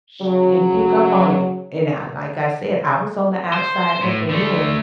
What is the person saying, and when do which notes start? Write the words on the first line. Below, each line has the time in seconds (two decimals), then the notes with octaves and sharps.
She didn't pick up on it. And I like I said, I was on the outside looking in,
0.22 C#3 F#3
3.53 C5
4.02 A2
4.29 D3 A3